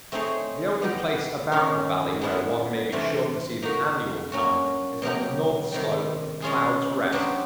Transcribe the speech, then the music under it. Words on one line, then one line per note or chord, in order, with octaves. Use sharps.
The only place about the Valley where one may be sure to see the annual kind is on the north slope of Clouds' Rest.
A3 C4 D#4 G#4 C#5
B3 D#4 G4
D#3 G#3 C#4
G#3 B3 E4 A4
C3 E3 A3 D4 F4
A#3 D#4 F#4
F#3 A#3 C#4 F#4
B2 F#3 A#3 D#4 G4
C3 D#3 G3
G#3 C#4 F4 G#4
F#3 B3 D4 G4 C5